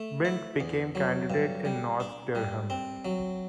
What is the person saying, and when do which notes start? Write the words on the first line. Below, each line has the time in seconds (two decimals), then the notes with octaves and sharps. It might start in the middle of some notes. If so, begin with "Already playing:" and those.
Bint became candidate in North Durham.
Already playing: A3
0.25 E4
0.60 E2
0.95 F#3
1.30 G2
1.65 G3
2.00 D4
2.35 G3
2.70 C4
3.05 F#3